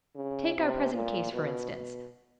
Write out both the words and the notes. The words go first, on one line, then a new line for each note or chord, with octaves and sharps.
Take our present case, for instance.
C#3
C3
A#2
B2
B2